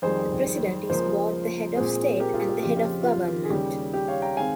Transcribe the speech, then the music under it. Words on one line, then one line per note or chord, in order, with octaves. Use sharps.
The President is both the head of state and the head of government.
F2 D#3 G3 G#4 C5
C#2 C#3 F3 A#3 G#4 C5
A#2 G#3 C4 G#4 C5
G4 A#4
F4 G#4
G4
F2 C#3 F3 C4 G4
F4
F4
G#4
D#2 C#3 G3 G4
G4
C#5 F5
G5 A#5
D#3 G#3 C4 F5 G#5